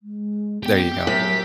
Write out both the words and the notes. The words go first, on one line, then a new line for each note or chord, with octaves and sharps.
There you go.
G#3
B3 G4 G5
F#2 E5 B6